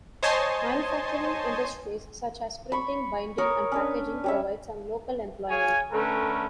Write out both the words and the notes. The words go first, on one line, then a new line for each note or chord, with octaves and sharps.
Manufacturing industries such as printing, binding and packaging provide some local employment.
C5 C#5 D#5 G#5 A5 C6
B5 C#6
A#4 C#5 D#6
C#4 D4 B4
G3 C#4 E5
G#4 C#5 F5 G#5
D3 A3 C#4 A#4 B4